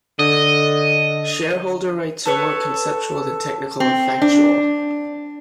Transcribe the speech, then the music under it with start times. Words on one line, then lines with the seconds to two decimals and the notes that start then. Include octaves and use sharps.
Shareholder rights are more conceptual than technical or factual.
0.19 D3 D#5
2.26 A4 B4 C#5
3.80 C4
4.22 D4